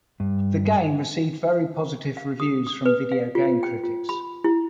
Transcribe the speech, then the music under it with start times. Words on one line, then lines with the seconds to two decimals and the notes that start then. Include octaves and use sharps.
The game received very positive reviews from video game critics.
0.20 G2
2.17 F5
2.40 D#6
2.67 D#6
2.86 B4
3.12 F5
3.35 F4
3.63 G5
3.84 F4
4.09 B5
4.44 E4